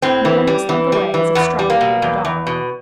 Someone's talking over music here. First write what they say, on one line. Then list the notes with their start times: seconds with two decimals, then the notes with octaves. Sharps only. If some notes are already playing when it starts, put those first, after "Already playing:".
And the woman slunk away as if struck, like a dog.
0.02 A2 C4
0.25 E3
0.47 G3
0.69 E3
0.92 G3
1.14 E3
1.35 E2 B3
1.59 G3
1.70 A#3
1.81 B2
2.02 E2
2.25 E2
2.47 B2